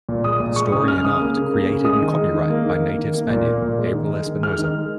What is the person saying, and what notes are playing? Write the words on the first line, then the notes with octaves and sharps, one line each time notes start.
Story and Art, Created and Copyright by native Spaniard, Abril Espinosa.
A#2
G#3 D#6
A#2
G#3 C#6
C#3 D#6
G#3 F6
C#3 D#6
A#3
C#3
A#3
C#3
G#3 D#6
D#3
G#3
D#3
A#3
D#3
A#3
D#3
A#3
A#2
A#3
A#2
G#3
D#3
G#3
D#3
G#3 F6
D#3
G#3